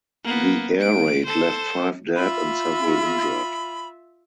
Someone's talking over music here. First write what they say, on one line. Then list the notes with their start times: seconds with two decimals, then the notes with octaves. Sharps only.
The air raid left five dead and several injured.
0.24 A#3 B3
0.81 D7
1.25 A4 C5
2.16 F4 E5 B5